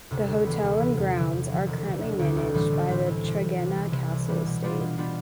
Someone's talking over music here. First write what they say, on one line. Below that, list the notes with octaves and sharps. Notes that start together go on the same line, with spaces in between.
The hotel and grounds are currently managed by the Tregenna Castle Estate.
D2 C3
D2
C3 E3 B3
D2
C3 E3 B3
E2
D3 F3
E2
D3 F3
E1
D2 D3 G3
E1
D2 D3 G3
B1
A2 E3 G3 C4
B1
A2 E3 G3 C4
C2
C3 G3
C2
C3 G3
C2
C3 E3 G3
C2
C3 E3 G3
B2
G3 B3 D4 F4
B2
G3 B3 D4 F4